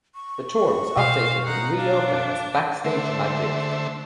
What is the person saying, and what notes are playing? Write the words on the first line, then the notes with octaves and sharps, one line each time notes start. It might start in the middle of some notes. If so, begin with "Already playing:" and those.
The tour was updated and re-opened as Backstage Magic.
C#6
B2 C5 F5
D#4 F#5 A#5
D4 F5
D3 A3 C5 E5